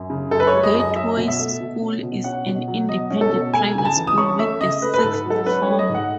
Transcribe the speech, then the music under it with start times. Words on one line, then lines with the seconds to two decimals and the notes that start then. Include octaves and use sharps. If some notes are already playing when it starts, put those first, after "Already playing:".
Gateways School is an independent private school with a sixth form.
Already playing: F#2
0.10 C#3
0.31 F#2 A4
0.40 B4
0.47 C#5
0.53 G#3
0.63 D#5
0.75 F#2
0.80 D#5
0.96 C#4 E5
1.17 B2
1.28 E5
1.39 A3
1.60 B2
1.82 C#4
2.03 B2
2.24 C#4 F#5
2.46 B2
2.68 F#3
2.89 B2 D#5
3.11 C#4
3.21 A4
3.32 B2
3.53 A3 G#5
3.75 C#3 G#5
3.85 A5
3.96 E3
4.07 D#6
4.18 C#4 C#6
4.39 A3 E5
4.61 C#3 D#5
4.82 A3 B4
4.94 B4
4.98 A4
5.04 G#2
5.25 F#3
5.30 A4
5.46 C#4 B4
5.63 C#5
5.68 A3
5.79 D#5
5.89 G#2
5.95 F#5